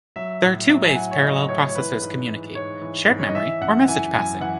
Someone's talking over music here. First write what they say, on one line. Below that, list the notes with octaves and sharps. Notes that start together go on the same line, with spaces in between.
There are two ways parallel processors communicate, shared memory or message passing.
F#3 E5
A2
F#3
G#5
A2 F#5
C#5
F#3 D#5
A2 C#5
C#5
E3 B4
G#2
E3
G#2 C#5
E3
G#2
C#5
D#5
E3 E5
F#2 F#5
F#5
E3 G#5
F#2 G#5
E3 F#5